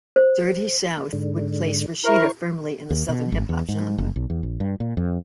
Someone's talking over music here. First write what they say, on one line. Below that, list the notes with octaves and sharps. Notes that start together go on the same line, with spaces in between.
"Dirty South" would place Rasheeda firmly in the southern hip-hop genre.
C5
G#2 D3
E4 A#4 C5 C#6
D#2
B2
G#1
E2
G#2
F#1
B1
E2
A#1
G2
A#2
F2